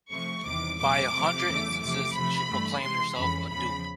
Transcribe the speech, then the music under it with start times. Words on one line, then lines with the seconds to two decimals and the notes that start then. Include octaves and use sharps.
By a hundred instances she proclaimed herself a dupe.
0.11 C3 F3 A3 C#6
0.45 E2 C3 D#3 G3 D6
0.78 B2 F#3 A3 D6
1.12 C3 F3 A3
1.47 E2 C#3 F#3 A3
1.81 C3 F3 A3 D6
2.14 C3 F3 A3 B5
2.48 G2 E3 A3
2.82 C3 E3 G#3 C6
3.16 F2 C#3 E3 B5
3.50 E2 C#3 F3 B5